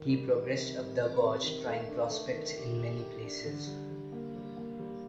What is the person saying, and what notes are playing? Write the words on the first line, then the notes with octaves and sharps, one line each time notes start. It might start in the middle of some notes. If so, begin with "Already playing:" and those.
He progressed up the gorge trying prospects in many places.
Already playing: D#3
G3
D#3
C3
G3
C3
C3
D#3
A3
D4
A3
D#3
G4
G4
G4
D4
D3
G3
G3
A#3
G3
A#3
G3